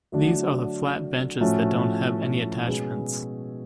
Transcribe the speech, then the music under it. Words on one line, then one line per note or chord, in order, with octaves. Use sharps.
These are the flat benches that don't have any attachments.
D3 F#3 A3 D4 F#4
A2 F3 A3 C#4 F#4
B2 G#3 C#4 G#4 B4